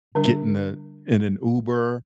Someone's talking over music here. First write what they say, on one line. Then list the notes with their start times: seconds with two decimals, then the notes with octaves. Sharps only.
get in the in an Uber,
0.15 D3 G3 D4 A#4